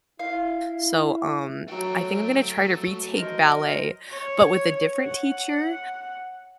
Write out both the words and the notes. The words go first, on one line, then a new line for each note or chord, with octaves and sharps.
So, um, I think I'm gonna try to retake ballet, but with a different teacher.
E4 F5
F#3 A3 F#4 F#5 G5
A#4 C5 D#5
C#5
F#5